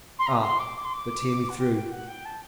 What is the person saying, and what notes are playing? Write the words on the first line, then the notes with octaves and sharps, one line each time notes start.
Ah, but hear me through.
C6
A#5
C6
D6
D6
C6
D6
F#5
G5
G5
F#5
G5
A5